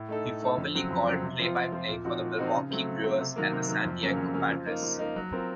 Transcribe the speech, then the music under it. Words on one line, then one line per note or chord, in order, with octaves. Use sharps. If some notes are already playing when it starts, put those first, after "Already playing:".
He formerly called play-by-play for the Milwaukee Brewers and the San Diego Padres.
Already playing: A2
A3 D#4 A4
A2
A3 D#4 A4
F2
C#3 F#3 C4
F2
C#3 F#3 C4
C3
F3 C4 F4
C3
F3 C4 F4
A#2
F3 C4 D#4 F#4
A#2
F3 C4 D#4 F#4
C#3
F#3 A3 C4
C#3
F#3 A3 C4
C3
D#3 F#3 A#3
C3
D#3 F#3 A#3
F2
C#3 F#3 A#3 C#4
F2
C#3 F#3 A#3 C#4
F3
A#3 D#4
F3
A#3 D#4
F#3
C4 F4 A#4